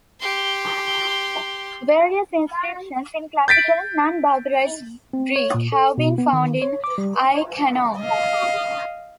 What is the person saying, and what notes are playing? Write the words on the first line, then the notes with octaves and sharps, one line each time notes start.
Various inscriptions in Classical, non-barbarized, Greek have been found in Ai-Khanoum.
G4 C6
G6 A6 B6 D7
C4
C#5
A#2
A4
B2
B3
D#3
C#5
D6
G3
D#5 F5